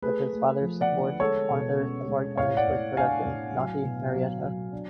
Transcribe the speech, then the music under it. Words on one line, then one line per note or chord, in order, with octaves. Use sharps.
With his father's support, Arthur embarked on his first production, "Naughty Marietta".
A3 G#4 B4
A3
F3
D5 F#5
D3
G#3 A4 C#5
B2
C#4
G#3
A2 C#5 F5
D5 F#5
A2
D4 F5 G#5
A2
F#3
B2
F#3
F#3
D4